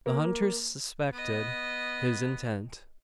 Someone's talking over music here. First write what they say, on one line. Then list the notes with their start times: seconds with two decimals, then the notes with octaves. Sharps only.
The hunter suspected his intent.
0.06 A#3
1.13 B3 D#5